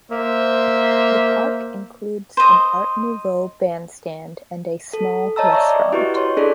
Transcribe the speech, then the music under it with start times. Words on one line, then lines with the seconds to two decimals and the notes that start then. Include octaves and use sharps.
The park includes an Art Nouveau bandstand and a small restaurant.
0.11 A#3 C5 E5
2.37 C5 D#5
4.93 A4
5.36 C#5 D#5 A5 A#5 E6
5.53 D5 E5 C#6
5.93 E4 F#4 G4 B4 D#5 C#6
6.14 C#5 C6 C#6
6.37 D4 E4 G#4 A4 C#5 D5